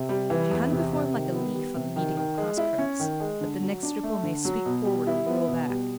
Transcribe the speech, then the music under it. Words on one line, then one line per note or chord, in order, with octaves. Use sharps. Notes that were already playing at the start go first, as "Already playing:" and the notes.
She hung before him like a leaf on the meeting of cross-currents, that the next ripple may sweep forward or whirl back.
Already playing: C3
G3
E3
E2
C3
C3
D#3
B3
G3
C3
D#3
D#3
G#3
E4
C#4
D#3
G#3
D3
F#3
D4
A3
D3
F#3
B2
G3
E4
B3
B2
G3